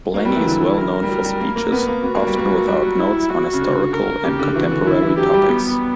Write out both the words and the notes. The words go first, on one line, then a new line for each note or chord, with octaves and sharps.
Blainey is well known for speeches, often without notes, on historical and contemporary topics.
A#3 F#4
G3
F#3
E3
D3 E4
A#4
G3
F#3
G3
A#3
A#3
B3
A#3
B3 F#4
A#3
G3
A#3
F#3
G3
F#3
E4
F#4
C#3
D3
A#4
C#3 G4
D3
E3 F#4
D3
D3 E4
E3
F#3 G4
G3
B3